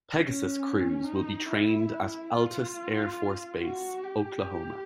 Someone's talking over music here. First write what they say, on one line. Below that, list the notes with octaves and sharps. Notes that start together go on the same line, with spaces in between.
Pegasus crews will be trained at Altus Air Force Base, Oklahoma.
C#4
D#4
E4
F4
F#4
G4